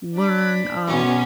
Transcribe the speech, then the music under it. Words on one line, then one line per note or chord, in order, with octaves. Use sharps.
learn, um,
D4 B5
B1 F#2 B3 C#4